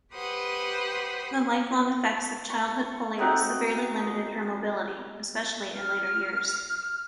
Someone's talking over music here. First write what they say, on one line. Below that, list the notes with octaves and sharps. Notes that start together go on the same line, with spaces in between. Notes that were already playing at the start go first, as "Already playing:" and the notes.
The lifelong effects of childhood polio severely limited her mobility, especially in later years.
G4 B4 C5 F#5 D#6
C#6
A3 C4 D#4 F#4
F6